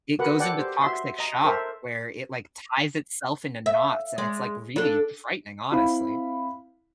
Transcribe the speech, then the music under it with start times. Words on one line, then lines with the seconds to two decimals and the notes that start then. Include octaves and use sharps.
it goes into toxic shock where it, like, ties itself into knots, and it's, like, really frightening, honestly.
0.19 F#4 A#4 B4 F#5
0.39 A4 D5 F#5 G5
0.58 G4 C5
0.81 F#4 E5 C6
1.19 D#5 A#5
1.44 A4 A#4 C5 E5
3.66 E5
4.18 G#3 D5
4.76 D4 A4
5.71 C4 E4 F5 B5